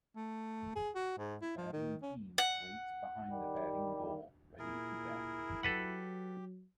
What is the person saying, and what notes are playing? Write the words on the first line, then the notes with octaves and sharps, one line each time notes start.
The batting team waits behind the batting goal ready to bat.
A3
G#4
F#4
G#2
E4
F3
D#3
C#4
F#5
D#3 G3
A#2 E4 G#4 A#4
F#3 G4 A4 B4 F#5